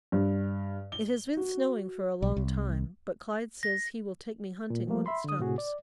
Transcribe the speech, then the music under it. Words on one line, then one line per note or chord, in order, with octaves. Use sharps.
It has been snowing for a long time, but Clyde says he will take me hunting when it stops.
G2
G7
F#4
B1
C2
A#6
A#2
F3 G3 A3 A#3
E5 B5 C6
D3 D#6
A2 C3 F#4 G#4
D5